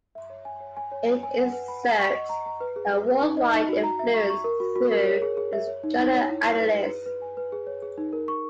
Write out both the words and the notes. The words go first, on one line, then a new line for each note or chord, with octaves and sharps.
It exerts a worldwide influence through its Journal Annales.
E5
C#5
G#5
C#5
G#5
C#5
G#5
G#5
F#5
B4
B5
F#5
C#6
D#5
A#5
A#5
B4
G#4
G#4
B4
D#4
D#5
D#4
F#4
A#5
E5
C#6
C#6
A#4
F#4
F#4
A#4
C#5
G#4
G#4
E5
C#5
D#4
D#4
C#5
E4
E4
B4
G#4
B4
B4
G#5
B4
G#4
C#5
G#4
D#4
A#4
C#6